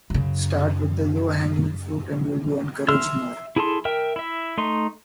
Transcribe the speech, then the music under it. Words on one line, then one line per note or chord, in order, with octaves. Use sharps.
Start with the low hanging fruit and you'll be encouraged more.
F#2 C#3
E5 C6 E6 F6
E4 G#4 A4 A5 C6
A#4 E5 G5
E4 E5
A3 D#4 C6